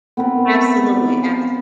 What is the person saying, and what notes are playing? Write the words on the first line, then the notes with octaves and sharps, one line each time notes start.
Absolutely, abso
B3 C4 A#4 B4